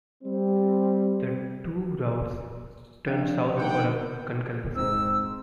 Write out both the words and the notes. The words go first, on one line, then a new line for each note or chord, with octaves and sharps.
The two routes turn south for a concurrency.
G3 C4
D#3 F3 D4 G5
A#2 D3 D#3 A#3 F#5 G5
G#2 C4 D#4 E6